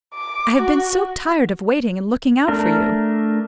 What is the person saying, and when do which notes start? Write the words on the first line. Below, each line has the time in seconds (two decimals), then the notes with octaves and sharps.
I have been so tired of waiting and looking out for you.
0.14 D6
0.58 F#4
2.48 A3 D4 A#4